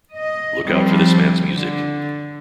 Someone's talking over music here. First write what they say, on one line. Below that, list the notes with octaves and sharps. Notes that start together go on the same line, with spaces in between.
Look out for this man's music'.
D#5
F3 G3 C4
D3